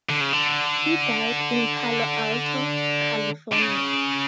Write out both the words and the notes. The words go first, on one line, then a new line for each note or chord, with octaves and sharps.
He died in Palo Alto, California.
D3
C#3
D3
D3
C#3